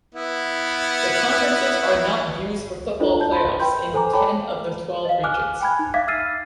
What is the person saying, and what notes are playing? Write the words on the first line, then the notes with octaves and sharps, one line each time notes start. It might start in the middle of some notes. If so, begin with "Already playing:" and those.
The conferences are not used for football playoffs in ten of the twelve regions.
B3 E4
D4 E4 F4 A4 C5 D#5
A5 G6
B5 C6
B4 G5 B5 C6 G6
A4 C5 G#5 A#5 D6
A4 C#5 G5 A5 B5 D6
D#5 F5
G#5 D6 F6 F#6
G5 G#5 B5 F#6 G#6
D#4
E5 F5 D6 G#6 B6
E6 F6 A6 C7 D#7